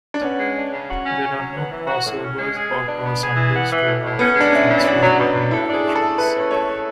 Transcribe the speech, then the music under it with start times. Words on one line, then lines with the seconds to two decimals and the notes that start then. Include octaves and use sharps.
There are no crossovers or crossunders to allow free transfers between directions.
0.14 D4
0.21 B3 C#4
0.38 G#3
0.55 D4
0.71 C#3
0.89 F#4
1.04 C#4
1.22 C#5
1.38 F#3
1.54 B3
1.71 E3
1.87 F#4
2.04 A2
2.21 C#4
2.37 G#3
2.53 G#4
2.70 B2
2.87 D4
3.04 B3
3.20 G#4
3.36 E3
3.53 B3
3.70 E3
3.86 A2
4.03 A2
4.19 B3 C#4
4.35 G#3
4.41 D4
4.52 C#4 E4
4.69 E3
4.81 C#4
4.85 B3 D4
5.02 F#3
5.18 B2
5.34 B2
5.51 E4 A4
5.68 D4
5.73 G#4
5.84 A3
5.95 A4
6.02 A3
6.17 E4 B4
6.35 C#4
6.50 A3 C#5
6.67 A3